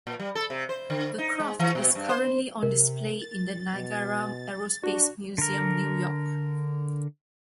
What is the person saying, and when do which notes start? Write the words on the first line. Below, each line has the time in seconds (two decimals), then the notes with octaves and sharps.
The craft is currently on display in the Niagara Aerospace Museum, New York.
0.07 A#2
0.20 G3
0.35 A4
0.50 C3
0.69 C5
0.90 D3
1.18 D#4
1.40 G#3
1.59 E3
1.75 B2
1.95 G2
2.09 C5
2.63 C3 A#4
3.22 A6
3.73 B2
4.84 D4 F#4
5.38 D3 A#4